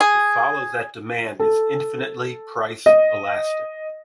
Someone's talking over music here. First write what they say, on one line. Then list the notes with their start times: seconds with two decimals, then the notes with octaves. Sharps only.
It follows that demand is infinitely price-elastic.
0.01 G#4
1.40 A4
2.86 D#5